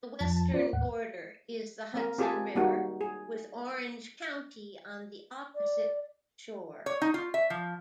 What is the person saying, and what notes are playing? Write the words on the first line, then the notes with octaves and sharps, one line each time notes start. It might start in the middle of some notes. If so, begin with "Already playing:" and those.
The western border is the Hudson River, with Orange County on the opposite shore.
F2 F3 A5
C#4 F4 C5 D5
D#2 A2 F#5
A#3 C4 A#4
C4 F4 G4 G#4 G#5 A5
G3 A#3 D#4 F#4
G#4
D5
C#5
D#4
F4
E5
F3